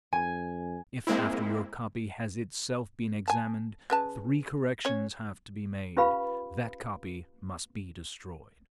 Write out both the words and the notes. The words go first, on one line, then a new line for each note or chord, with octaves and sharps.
If, after your copy has itself been examined, three corrections have to be made, that copy must be destroyed.'
F2 G#5
G#3 A#3 C4 E4
G#5 A5
C#3 B4 A5
C#4 C#5
C#4 F4 G4 B4 F5 B5